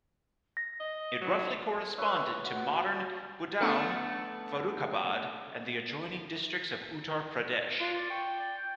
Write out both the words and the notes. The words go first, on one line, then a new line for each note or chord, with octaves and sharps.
It roughly corresponded to modern Budaun, Farrukhabad and the adjoining districts of Uttar Pradesh.
A#6
D#5
F#3
B4 C#5 E5
F#4
A3 B3 D4
D4 F4
D5
G5 C#6
D5
G5